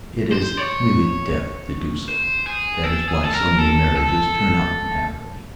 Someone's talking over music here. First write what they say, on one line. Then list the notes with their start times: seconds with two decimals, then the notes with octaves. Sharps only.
It is really death to do so--that is why so many marriages turn out unhappily.
0.32 C5
0.57 C#5
2.08 C5
2.46 G#4
2.84 A4
3.08 G#4
3.24 A4
3.34 A#4
3.58 A4
3.96 A4